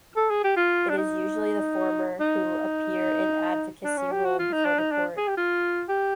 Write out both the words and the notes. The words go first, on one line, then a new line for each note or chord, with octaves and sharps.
It is usually the former who appear in an advocacy role before the court.
A4
G#4
G4
F4
D4
D#4
D#4
D4
C#4
G4
F#4
F4
D#4
D4
D#4
D4
G#4
G4
F4
G4